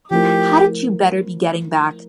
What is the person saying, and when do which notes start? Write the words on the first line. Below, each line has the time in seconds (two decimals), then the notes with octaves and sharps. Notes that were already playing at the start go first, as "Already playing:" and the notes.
Hadn't you better be getting back?
0.11 F3 A3 E4 G4 A#4